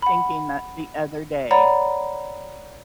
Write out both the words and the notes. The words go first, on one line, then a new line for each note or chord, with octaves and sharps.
thinking that the other day.
F#5 B5
C#5 D5 F#5 A#5 B5